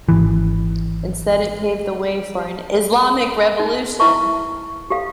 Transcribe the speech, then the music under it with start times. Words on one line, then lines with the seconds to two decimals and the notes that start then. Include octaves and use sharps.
Instead, it paved the way for an Islamic Revolution.
0.09 G#1 E3
3.60 D#4
4.00 E4 B4 E5 A5 C#6
4.90 G4 A4 F5